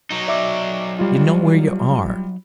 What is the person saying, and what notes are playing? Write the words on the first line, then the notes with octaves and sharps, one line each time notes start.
You know where you are.
F#3 D#4
D5 E5 D6
G3 F4